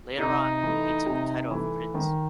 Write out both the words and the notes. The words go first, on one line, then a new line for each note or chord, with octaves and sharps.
Later on, he took the title of Prinz.
C3 D#4
E3 A3
C3
E3 A3
D#3